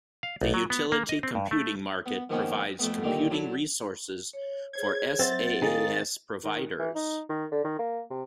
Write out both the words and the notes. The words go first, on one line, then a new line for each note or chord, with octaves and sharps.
The utility computing market provides computing resources for SaaS providers.
F5
B1
F#3
B3
A#3
D#5
C4
G2
A3
B3
D#3 F3 A#3 B3 C#4 D#4
F2 A3 B3
G2 A#2 D3 D#3 A#3
F#3 D4 E4 A4
C#5
G#4 C5 C#5 G#6
F#3 C4 E5 F#5 A6
D#3 D#4 G#4 A#4 F5
D#3
E3
D#4
D#3
D3
D#3
A#3
C3